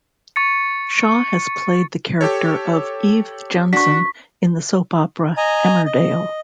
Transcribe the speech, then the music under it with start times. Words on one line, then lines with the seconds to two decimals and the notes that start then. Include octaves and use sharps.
Shaw has played the character of Eve Jenson in the soap opera "Emmerdale".
0.36 C#6 A6 C#7
2.21 G4 A4 C#5
3.73 D4 F#4 C#6 B6
5.37 D#5 G#5 A#5
5.86 D#5